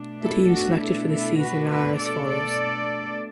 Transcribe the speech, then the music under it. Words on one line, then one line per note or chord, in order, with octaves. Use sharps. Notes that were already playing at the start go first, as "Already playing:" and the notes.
The teams selected for this season are as follows.
Already playing: B2 A3 D4
E4 A4
F#4
E4 A4
E4 A4
F#4 B4
F#4 B4
A4 D5
A4 D5